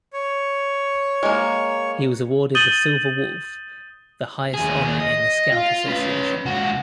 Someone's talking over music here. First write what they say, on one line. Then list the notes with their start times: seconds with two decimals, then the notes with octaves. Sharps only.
He was awarded the Silver Wolf, the highest honour in The Scout Association.
0.13 C#5
1.23 G#3 A#3
2.55 D#6 G6 A6 D#7 F#7 G7
4.54 D#2 G#4
5.00 D#5
5.52 F4
5.87 C#4 B4
6.46 C#2 F#4